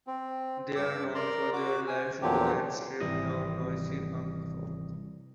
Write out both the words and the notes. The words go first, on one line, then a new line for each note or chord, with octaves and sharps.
They are known for their live shows and stripped-down noisy punk rock.
C4
G2 D6 E6
A#4 D5 A#5 C6
F#4 D6
G#5
E2 A#2 D3 F3 F#3 G4
G#1 C3 E3 G3 D#6 A#6